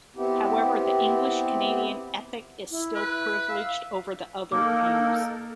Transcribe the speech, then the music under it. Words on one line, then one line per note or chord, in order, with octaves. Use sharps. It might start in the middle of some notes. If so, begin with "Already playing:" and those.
However, the English Canadian ethic is still privileged over the other views.
B3 C4 E4 G4
E4
B4
E5 F5
A#3 D#4 A4 A#4 D6